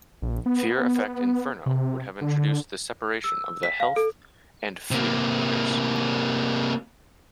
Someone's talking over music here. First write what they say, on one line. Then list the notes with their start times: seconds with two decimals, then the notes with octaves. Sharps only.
"Fear Effect Inferno" would have introduced the separation of the "Health" and "Fear" Meters.
0.22 A#1
0.46 B3
1.66 C3
2.21 D3
3.24 E6
3.63 B6
3.80 F5
3.96 A4
4.91 C3 A#3